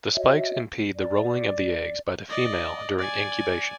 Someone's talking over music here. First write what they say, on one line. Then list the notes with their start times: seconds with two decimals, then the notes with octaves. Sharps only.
The spikes impede the rolling of the eggs by the female during incubation.
0.15 F#4 C#5 D#5 E5
0.96 D5
2.29 D5 D#5
2.98 D5 G#5